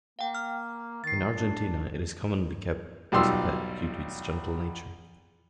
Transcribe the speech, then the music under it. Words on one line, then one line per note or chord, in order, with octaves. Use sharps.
In Argentina it is commonly kept as a pet due to its gentle nature.
A#3 F5 G5
F6
D#3 A6 C7
D4
B1 G3 F4 C6 E6